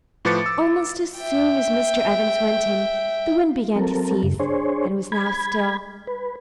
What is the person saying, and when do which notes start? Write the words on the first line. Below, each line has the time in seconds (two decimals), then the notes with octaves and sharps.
Almost as soon as Mr. Evans went in, the wind began to cease, and was now still.
0.25 A2 F3 B4 D6 A6 C#7
0.46 E6
1.18 E5 G5
3.76 F#3 C4 A4 A#4
4.23 F#2 C#3
4.40 D4 G#4 C5 C#5
5.12 B5 G#6
6.07 B4